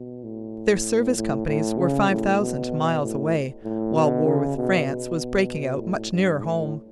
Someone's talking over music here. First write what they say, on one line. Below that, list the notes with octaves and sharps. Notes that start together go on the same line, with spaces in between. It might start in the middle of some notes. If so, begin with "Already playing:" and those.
Their service companies were five thousand miles away, while war with France was breaking out much nearer home.
Already playing: B2
A2
A2
A2
C#3
A2
B2
A2
A2
B2
C#3
B2
B2
A2
G2
A2